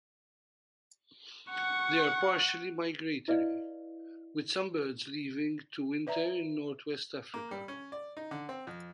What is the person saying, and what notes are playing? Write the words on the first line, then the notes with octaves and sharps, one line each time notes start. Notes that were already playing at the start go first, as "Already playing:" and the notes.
They are partially migratory, with some birds leaving to winter in northwest Africa.
F#5 C#6
E4 B4 D5 D#5 F5
B4 D5 E5 A#5
A#3
G3
C#4
D5
D#4
D3
C4
F2